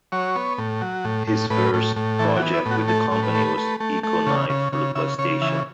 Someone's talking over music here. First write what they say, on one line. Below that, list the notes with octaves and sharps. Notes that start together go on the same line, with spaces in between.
His first project with the company was "Echo Night" for the PlayStation.
F#3 C#5
B3
A2
F#3
A2
A2
A2 B4
A2
A2
E3 A4
F#4
B3
E4
A2
F#4
A3 A4
A2
B4
A3
A3
A3
A3
C#3
C#3
C#3
C#3 E5
C#3 C#5
E3 E5